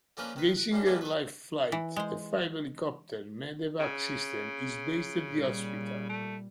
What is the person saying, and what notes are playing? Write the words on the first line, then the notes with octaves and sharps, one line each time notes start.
Geisinger Life Flight, a five-helicopter medevac system, is based at the hospital.
D3 F3 A#3 C#4 A#4 B4
D#3 B4
F#5
F#2 G3 C#4 D4
D3 E3 F3 G3 A3 B3
A4 B4
E3
G#3 C5
C#3
A#2 G3
A3